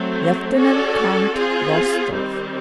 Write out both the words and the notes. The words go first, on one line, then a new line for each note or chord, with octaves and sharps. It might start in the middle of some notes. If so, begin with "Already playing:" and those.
"Lieutenant Count Rostov."
Already playing: F#3 A3 C4
C#4 F#4 A4 D5
C4 F4 G#4
D#3 G3 C4